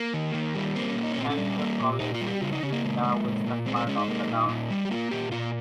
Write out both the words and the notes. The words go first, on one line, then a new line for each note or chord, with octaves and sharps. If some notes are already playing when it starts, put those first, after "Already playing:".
Hamilton College is in the western part of the town.
Already playing: A#3
D#3
D#3
G3
A#3 C4
C#4
A#2
D#4
C#4
A#2 C4
C#4
G3
A#3
A#2
A#2 D#4
F4
G3
G4
C#3 F4
D#4
C#3 C#4
A#3
G#3
G#3
A#2
A#2
G#3 C4
C4
G#3 C#4
D#4
A#3
A#2
A#2
G3
G4
A#3 F4
A#2 G4
A#2 F4